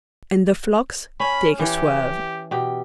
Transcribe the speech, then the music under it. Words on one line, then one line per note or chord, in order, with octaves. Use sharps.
And the flocks take a swerve.
C#4 B5
E3 G4
B2 G4